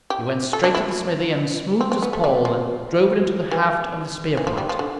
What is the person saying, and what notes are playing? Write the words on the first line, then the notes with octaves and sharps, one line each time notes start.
He went straight to the smithy and smoothed his pole and drove it into the haft of the spear-point.
G4
A4
D4
E4
C4
C4
B3
A3
G3
F3
E3
E3
F3
G3
F3
D3